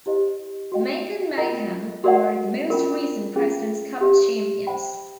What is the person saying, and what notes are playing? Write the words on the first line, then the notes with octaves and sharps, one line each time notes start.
The Macon Mayhem are the most recent President's Cup champions.
E4 G4 C5 D#5
F#4 B4 D#5 G5
F4 A#4 D#5 G5 A#5
F#4 A#4 D5 F#5
C#4 F4 A#4
C#4 F4 G#4 B4
G4 B4 E5
C5 E5 G5 B5